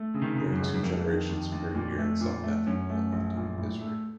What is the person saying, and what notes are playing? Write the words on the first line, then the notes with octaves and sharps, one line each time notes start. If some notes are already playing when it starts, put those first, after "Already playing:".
There are two generations per year in South Africa and in Israel.
Already playing: A3
C#3
C3 D#3
C#3
F#2
C#2
F#2
F2 A#3
D#3
D#2
D#2
A#2
A3
A#2
A3
F#2 C#4
A3
A#1
A#2
A2
A3